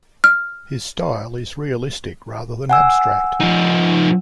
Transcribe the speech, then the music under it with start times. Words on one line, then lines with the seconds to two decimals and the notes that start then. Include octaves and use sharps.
His style is realistic rather than abstract.
0.24 F6
2.70 F#5 G#5 E6
3.40 F3 D#4